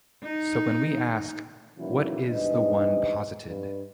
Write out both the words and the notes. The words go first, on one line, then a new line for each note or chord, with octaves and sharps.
So when we ask, What is the one posited?
D#4
A#2 D#3 E3 F#3 C#4 E4
E2 G#2 G3 D4 B4 D#5
G2